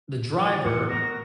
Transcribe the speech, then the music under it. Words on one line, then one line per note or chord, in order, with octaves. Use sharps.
the driver,
A6
A2 E3 C#7
B3 F#4 A#4 A#6